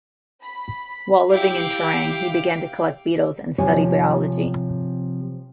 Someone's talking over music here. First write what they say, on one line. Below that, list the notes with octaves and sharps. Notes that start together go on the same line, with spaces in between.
While living in Terang, he began to collect beetles and study biology.
B5
E4 G4 F5 G5 D6
C3 F3 G4 C#5 G#5